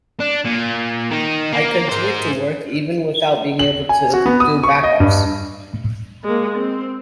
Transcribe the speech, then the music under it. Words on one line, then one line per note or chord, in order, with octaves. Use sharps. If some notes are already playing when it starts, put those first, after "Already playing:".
I continued to work even without being able to do backups.
D4
A#2
D#3 D#4
A#3
G#2 C5
F#7
G#5
F#4
B3
D#6
C#6
D#5
G2
G#3 A#3
C4